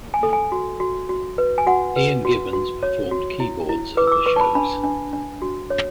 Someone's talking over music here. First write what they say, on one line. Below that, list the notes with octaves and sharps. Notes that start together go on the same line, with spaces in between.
Ian Gibbons performed keyboards at the shows.
G#5
A4
G#5
F#4
F#4
F#4
B4
G#5
F#4 F#5
B4
F#4
F#4
C#5
F#4
E4
E4
B4 D6
E6
D6
B4 C#6
A5
B5
D4 B5
D4
D4
F#4
C#5